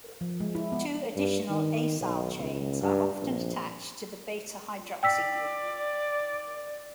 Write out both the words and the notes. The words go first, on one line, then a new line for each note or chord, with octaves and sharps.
Two additional acyl chains are often attached to the beta hydroxy group.
F3
G#3
E4
B3
G2
D#3
B1
C#2
G2
A#1
D5 G5 E6 B6